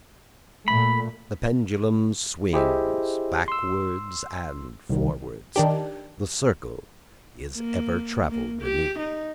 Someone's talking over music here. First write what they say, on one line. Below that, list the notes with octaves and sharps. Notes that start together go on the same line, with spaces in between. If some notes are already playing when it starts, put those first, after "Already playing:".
The pendulum swings backwards and forwards. The circle is ever travelled anew.
A#2 A3 B5
E4 G4 G#4 C5 D#5 E5
C6 E6
C2 D#3
D#3 D4 G4
A#3
A#3
G4
D#4